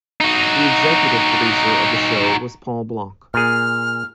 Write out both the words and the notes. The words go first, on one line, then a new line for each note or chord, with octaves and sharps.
The executive producer of the show was Paul Block.
D#4 F#4
A#2 G#4 F6